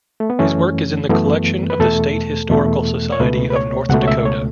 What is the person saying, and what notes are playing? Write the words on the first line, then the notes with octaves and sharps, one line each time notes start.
His work is in the collection of the State Historical Society of North Dakota.
A3
B3
F#2 E3 A3 C#4
F#2 E3 A3 B3
B4
E2 B2 A3 A4
E2 B2 A3
C#5
C#2 B2 A3 B4
B4
C#5
C#2 B2 A3 F#5
C#5
E5
C#5